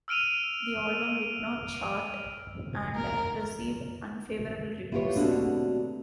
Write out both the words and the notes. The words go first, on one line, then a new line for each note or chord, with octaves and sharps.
The album did not chart, and received unfavorable reviews.
E6 F6 D7 D#7 F7
A#4
A#3 E4 F4 G4 B4 C#5
B2 D3 F#3 A3 C4 D4